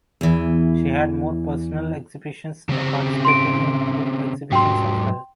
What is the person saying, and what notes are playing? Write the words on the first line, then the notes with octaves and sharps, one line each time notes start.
She had made personal exhibitions and participated in group exhibitions as well.
E2 E3
C#3 C4
C6 D7
G#2 F#3 G5 C6